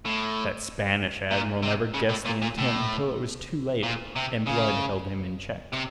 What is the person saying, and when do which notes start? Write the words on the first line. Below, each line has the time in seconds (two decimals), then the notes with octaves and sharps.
That Spanish Admiral never guessed the intent until it was too late and Blood held him in check.
0.06 A2
1.31 A#2
1.63 C3
1.94 C#3
2.10 A2
2.26 A#2
2.42 A#2
2.58 A2
3.83 A#2
4.16 C3
4.47 C#3
5.73 C3